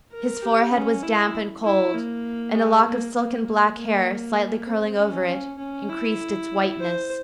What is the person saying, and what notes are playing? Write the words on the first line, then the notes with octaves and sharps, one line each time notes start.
His forehead was damp and cold, and a lock of silken black hair, slightly curling over it, increased its whiteness.
A#4
G4
C#4
E4
E4
A#3
G#3
A#3
A#3
A#3
C4
C#4
C#4
C#4
E4
C5